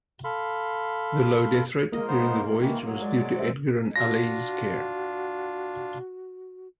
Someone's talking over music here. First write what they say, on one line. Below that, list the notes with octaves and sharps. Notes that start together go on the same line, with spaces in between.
The low death rate during the voyage was due to Edgar and Alley's care.
A4 F5 B5 C6
G#3 A#3 F4 A#4 D#5
B3 D#4 C5
D#3 E3 F4
F#3
G#3 D5
C5 E5
D4 F4 F#4 A#6